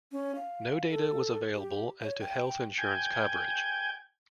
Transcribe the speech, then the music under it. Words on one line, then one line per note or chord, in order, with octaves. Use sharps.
No data was available as to health insurance coverage.
C#4
F5
A4
G4
C#5
G5
G5 G#5